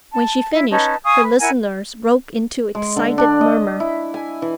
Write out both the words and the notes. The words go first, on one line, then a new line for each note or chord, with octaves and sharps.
When she finished, her listeners broke into excited murmur.
A5
E4
C#4 D#4 B4 A5
F5 G#5 C#6 D#6
B4
E4 A#4 F#5 G#5
G#3
D3
D4
D#5
E4
G#5
E3